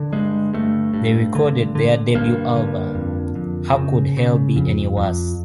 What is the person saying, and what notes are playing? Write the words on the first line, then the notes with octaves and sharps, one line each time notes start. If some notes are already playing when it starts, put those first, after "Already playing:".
They recorded their debut album, How Could Hell Be Any Worse?
Already playing: D3
G2 G#3
G2 A3
G2
D3
D3
G2 A#3
D3
F2
F2
C#3
C#3
F2
F2